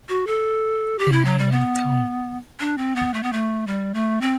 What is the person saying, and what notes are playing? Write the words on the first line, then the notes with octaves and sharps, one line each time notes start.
Then I went home.
F#4
A4
G4
E4
F#3
G3
B3
D4
C4
B3
A3
B3
A3
G3
A3
C4